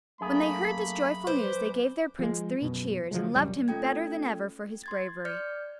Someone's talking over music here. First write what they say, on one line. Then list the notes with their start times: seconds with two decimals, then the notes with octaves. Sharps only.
When they heard this joyful news they gave their Prince three cheers, and loved him better than ever for his bravery.
0.21 F#2 A3 A#3 G#4 B5
1.27 B4 C5 D6
2.19 F3 G#3
2.62 F#2 B2
3.11 D3 F3 F#3 G#3
3.36 E1 C#2 F#2 G3
3.68 A3 C#4 F4 A4 G5 G#6
4.84 C6 G#6 A6
5.25 D5 F6 G6 C#7